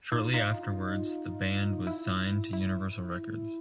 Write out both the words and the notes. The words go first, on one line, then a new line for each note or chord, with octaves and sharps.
Shortly afterwards the band was signed to Universal Records.
D#4 F4
D#4 F4
E4
E4